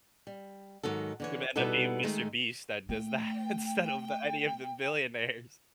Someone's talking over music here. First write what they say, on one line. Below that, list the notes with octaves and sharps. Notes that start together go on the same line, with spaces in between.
It may end up being Mr. Beast that does that instead of the any of the billionaires.
G3
G#2 D#3 F#3 A4
D3 E3 C#5
B2 G3 B3 D#4 E4 A4
D#3 G#3 A3 D#4
A3 G5